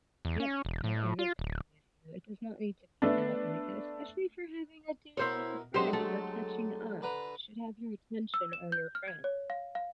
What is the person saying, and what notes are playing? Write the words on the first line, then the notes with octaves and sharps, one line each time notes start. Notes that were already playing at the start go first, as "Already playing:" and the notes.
Yep. I I agree with you. It does not need to be out like that, especially if you're having a date with a friend and you're catching up. You should have your attention on your friend.
E2
C#4
E1
A2
F4
D1
A3 B3 D4
B2 E4 A#4 C5 C#5
D3 F#3 G#3 G4 C5
A3
D3 B4 A#5
E6
E7
G6
F6
G#6
C#5
F5
F5